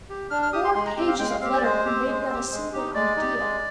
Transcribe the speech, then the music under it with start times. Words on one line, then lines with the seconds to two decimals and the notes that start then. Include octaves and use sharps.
Four pages of letter conveyed not a single idea.
0.09 G4
0.30 D4 F6
0.43 F6
0.53 G4 D#6
0.64 C6
0.75 G#3 C6
0.86 A#5
0.97 C4 G4 G5
1.07 F5
1.19 G#3 G5
1.30 F5
1.41 C4 G4 F5
1.52 C5
1.58 D5
1.63 G#3 C5
1.85 C4 G4
2.07 G#3
2.29 C4 G4
2.51 G#3
2.73 D#4 G4
2.95 G#3 D5
3.17 D#4 G4
3.39 G#3